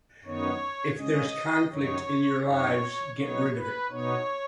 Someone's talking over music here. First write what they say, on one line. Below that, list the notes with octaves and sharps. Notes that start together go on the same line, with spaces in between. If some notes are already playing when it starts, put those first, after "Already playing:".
If there's conflict in your lives - get rid of it.
F#2 D#3 B3 D#4 C#5
C#3 G#3 C#4 D#5
F#2 D#3 F#3 D#4 C#5
F#2 F#3 D#4 C#5
B2 F#3 B3 D#4 C#5
B4
B2 B3 D#4 C#5